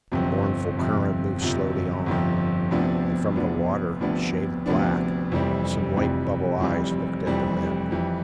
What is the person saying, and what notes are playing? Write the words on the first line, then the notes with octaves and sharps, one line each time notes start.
The mournful current moved slowly on, and from the water, shaded black, some white bubble eyes looked at the men.
G1 F2 C3 F3
G1 F2 C3 F3
G1 F2 C3 F3
G1 F2 C3 F3
D2 C3 F3 B3 D4
D2 C3 F3 B3 D4
D2 C3 F3 B3 D4
D2 C3 F3 B3 D4
F1 F2 E3 G3 C4
F1 F2 E3 G3 C4
F1 F2 E3 G3 C4
F1 F2 E3 G3 C4
F2 E3 G3